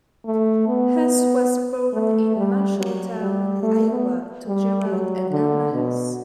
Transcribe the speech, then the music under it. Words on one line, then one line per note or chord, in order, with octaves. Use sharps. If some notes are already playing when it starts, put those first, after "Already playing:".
Huss was born in Marshalltown, Iowa, to Gerald and Elma Huss.
A3
B3
A3
G3
F#3
G3
A3
B3
G3
F#3
D3
B2